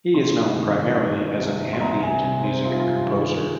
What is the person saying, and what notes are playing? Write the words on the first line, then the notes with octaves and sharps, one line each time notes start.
He is known primarily as an ambient music composer.
C3 C6
D#3
D#3
C2
C6
C2 A#5
G#5
C3
C5
C2 F4
F4
G4
D#3
G#4